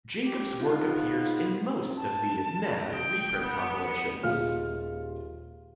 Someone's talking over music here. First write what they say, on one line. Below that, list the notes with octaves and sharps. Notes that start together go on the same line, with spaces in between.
Jacobs' work appears in most of the "Mad" reprint compilations.
G4
G#2 B3 F4
A5
G5 D#6
B3
C#7
D#1 D#2 G#3 F4 F5 F6